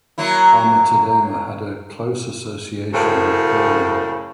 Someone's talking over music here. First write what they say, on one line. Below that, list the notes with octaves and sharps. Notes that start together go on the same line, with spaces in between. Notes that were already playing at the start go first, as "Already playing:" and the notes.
Alma Tadema had a close association with Poland.
F#3 A#3 E4
F#2 A2 C#3 C5